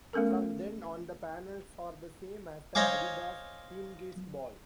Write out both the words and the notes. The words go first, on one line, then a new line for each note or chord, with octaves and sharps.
From then on the panels are the same as the Adidas Teamgeist ball.
A3 B3 C#4 A4 A#4
C5 C#5 D#5 F5 G#5 D6